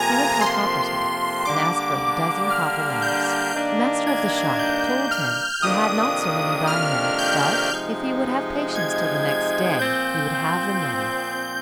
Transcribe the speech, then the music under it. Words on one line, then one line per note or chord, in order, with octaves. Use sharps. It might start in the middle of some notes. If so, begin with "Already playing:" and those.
He went to a coppersmith, and asked for a dozen copper lamps: the master of the shop told him he had not so many by him, but if he would have patience till the next day, he would have them ready.
Already playing: F2 C3 F3 A#3 G#5 A#5
C6
D3 G3 A#3 D4 D6
F6
G6
G2 D#3 A#3 D4
G#6
G6
F6
F2 C3 D#3 A#3 D4 D#6
F6
G6
C3 F3 G#3 D#4
G#6
G#6
A#2 F3 C4 G6